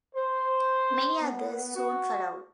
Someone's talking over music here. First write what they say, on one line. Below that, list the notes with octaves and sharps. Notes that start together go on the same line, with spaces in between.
Many others soon followed.
C5
B3
F#4